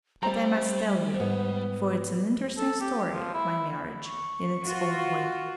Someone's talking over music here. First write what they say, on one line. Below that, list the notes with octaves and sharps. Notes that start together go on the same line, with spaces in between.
But I must tell you, for it's an interesting story, my marriage, in its own way.
G3 C4 C5 A#5
G#2 B3
A4
G4
F3
E4
C#6
F4 F#4